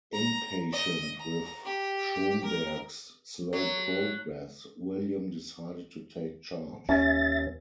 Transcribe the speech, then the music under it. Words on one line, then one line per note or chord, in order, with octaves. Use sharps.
Impatient with Schomberg's slow progress, William decided to take charge.
A#5
D#5
A#5
G4
A#4
F#3
D#2 C#4 E5 A6